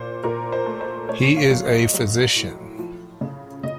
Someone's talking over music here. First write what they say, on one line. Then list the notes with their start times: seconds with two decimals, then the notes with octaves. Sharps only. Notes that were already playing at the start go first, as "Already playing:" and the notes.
He is a physician.
Already playing: A#2 C5
0.24 A#2 A#4
0.52 C5
0.66 A3
0.81 C5
1.08 A3 C#5
1.37 F5
1.51 F#3
1.65 D#5
1.94 F#3
2.36 A2
2.79 F3
3.21 C#3
3.63 C#3 D#5